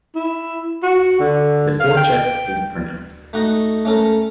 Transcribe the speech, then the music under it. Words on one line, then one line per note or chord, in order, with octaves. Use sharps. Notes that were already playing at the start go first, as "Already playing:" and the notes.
The forechest is pronounced.
E4
F#4
D3
F5
G5
A3 D#4 F#4 D#5
A3 C#4 A4 A#4